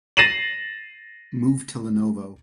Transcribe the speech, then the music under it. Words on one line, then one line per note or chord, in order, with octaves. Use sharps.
Moved to Lenovo.
A6 A#6 C7 D#7 E7 F#7